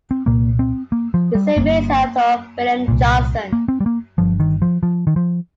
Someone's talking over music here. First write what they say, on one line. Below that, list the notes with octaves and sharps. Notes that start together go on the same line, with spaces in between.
The same may said of William Johnson.
C4
C2 A#2 A#3
C4
A#3
F3
G3
G1 G2 A#3
C2 A#2
A#3
C4
G3
A#3
G1 G2 F3
D#3
F3
F3
D#3
F3